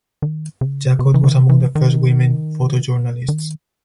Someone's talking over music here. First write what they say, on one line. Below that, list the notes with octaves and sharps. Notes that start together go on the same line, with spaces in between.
Jacot was among the first women photojournalists.
D#3
C#3
C3
E3
D#3
E3
D#3
D#3